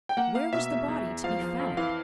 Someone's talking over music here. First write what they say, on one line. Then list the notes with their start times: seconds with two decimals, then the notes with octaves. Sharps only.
Where was the body to be found?
0.09 G5
0.17 A#3 F#5
0.35 A#3 F5
0.53 B2 E5
0.71 E2
0.88 E2
1.06 E2
1.24 F3 F5
1.42 F3
1.59 F2
1.77 E3 F5